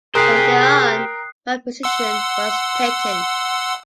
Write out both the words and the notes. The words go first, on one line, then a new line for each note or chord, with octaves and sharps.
From then on, my position was taken.
G4 G#4 A#4 C5 G5 D#6 F#6 C7
F#5 C6 E6